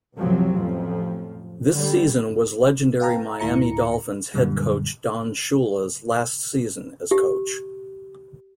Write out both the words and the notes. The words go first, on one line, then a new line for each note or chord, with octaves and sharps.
This season was legendary Miami Dolphins head coach Don Shula's last season as coach.
C2 F#2 C3 F3 F#3 C4
A1 F2 F3
D3 G3
B4 F5 G5 A5 A#5
D2 A2 E4 A#5 C#7
F#2 A#2 D3 G3
G4